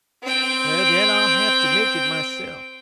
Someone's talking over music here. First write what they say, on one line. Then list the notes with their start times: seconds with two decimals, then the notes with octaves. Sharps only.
"Well, then, I'll have to make it myself."
0.23 C4 G5